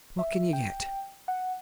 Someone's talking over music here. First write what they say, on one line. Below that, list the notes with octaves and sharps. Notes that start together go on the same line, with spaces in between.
"What can you get?"
E5
G5
F#5